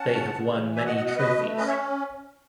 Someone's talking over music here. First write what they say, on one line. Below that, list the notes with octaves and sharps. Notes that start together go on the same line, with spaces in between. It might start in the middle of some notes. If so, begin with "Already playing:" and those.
They have won many trophies.
Already playing: C#4 F#5 A5
C#3
C#3
E3
B2 E5 G#5
D#5 F#5
B2 D#5 F#5
D#5 F#5
B2 B4 D#5
A3
C#4 B4 D#5
C#5 E5